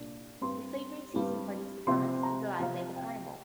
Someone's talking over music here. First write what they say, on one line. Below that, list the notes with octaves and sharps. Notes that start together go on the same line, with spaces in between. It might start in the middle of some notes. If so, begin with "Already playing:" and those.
The favorite season for these performances is the last day of the Carnival.
Already playing: C2 A#2 A#3 D4
G2 G3 C4 C6
G2 G3 C4
C3 F3 C4 C6
A#5
C3 F3 C4 F5
G5